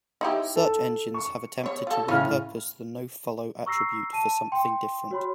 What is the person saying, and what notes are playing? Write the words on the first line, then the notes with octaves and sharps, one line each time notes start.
Search engines have attempted to repurpose the nofollow attribute for something different.
D#4 E4 G4
A4
C#6
B3 C#5
F4 A4
A2 C#3 A3 C#4 F4 F6
A#5 C#6 E6 A#6 C7
A5 D#7
G5 C6
F#4 C#5 B5 C6